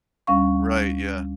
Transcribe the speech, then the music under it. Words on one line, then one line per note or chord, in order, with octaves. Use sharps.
Right, yeah.
D2 G3 C#4 F5 C#6